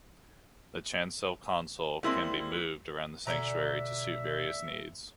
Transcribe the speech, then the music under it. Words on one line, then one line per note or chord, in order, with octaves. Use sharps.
The chancel console can be moved around the sanctuary to suit various needs.
G3 G#3 A#3 C4 E4
B2 D3 E5 G#5 A#5